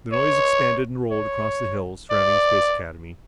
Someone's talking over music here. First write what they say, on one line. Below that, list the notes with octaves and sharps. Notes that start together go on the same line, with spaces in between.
The noise expanded and rolled across the hills surrounding Space Academy.
C#5
C#5
D5